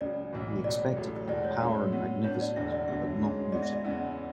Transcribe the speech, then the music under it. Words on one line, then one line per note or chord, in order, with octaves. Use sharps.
We expect of her power and magnificence, but not beauty.
C#2 C#3 F#3 D5
B1 A2 E3
C#2 B2 F#3 D5
A1 A2 F#3 A3
E2 B2 G#3 D5
C#5
A2 G#3 C#4 E4
A2 F#3 B3
A2 F#3 B3 D4 C#5
D5
E1 E2 D3 E5
D5
D2 D3 F#3 B3 D4 E5
G#2 G#3 C#4
G#2 G#3 B3 D5
E5
D5
E2 C#3 G#3 B3 E4